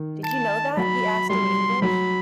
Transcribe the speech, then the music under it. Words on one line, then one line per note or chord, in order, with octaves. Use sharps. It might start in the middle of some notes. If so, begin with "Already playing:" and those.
"Did you know that?" he asked in English.
Already playing: D#3
A5
F#3 B5
G3 C6
F#3 B5